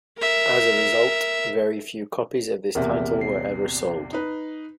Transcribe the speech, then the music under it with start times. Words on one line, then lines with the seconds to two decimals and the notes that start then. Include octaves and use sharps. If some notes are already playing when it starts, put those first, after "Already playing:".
As a result, very few copies of this title were ever sold.
0.18 A#4 E5
2.75 A#1 E2 C3 A#4 E5
3.21 C7
4.13 D#4 B4